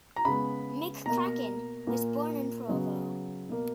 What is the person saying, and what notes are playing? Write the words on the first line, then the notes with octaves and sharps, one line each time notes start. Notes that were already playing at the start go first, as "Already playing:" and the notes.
McCracken was born in Provo.
A#5
C#3 G#3 B3 B5
B2 A#3 A#5
A#2 A#3
C#3 F#3 B3
B2 A#3